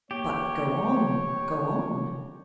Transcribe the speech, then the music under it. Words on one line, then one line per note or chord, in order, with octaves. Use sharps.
But go on, go on.
A#3 G4 C#5